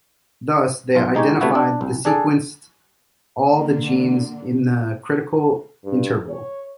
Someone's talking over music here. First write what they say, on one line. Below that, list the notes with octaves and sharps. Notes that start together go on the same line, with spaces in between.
Thus, they identified and sequenced all the genes in the critical interval.
B1 F4
G#3 D#4 G4 C#5
C3 A3 B3 E4 F#4
D4
C2
D4 G#4 A4
D3 A#3
G2
C#5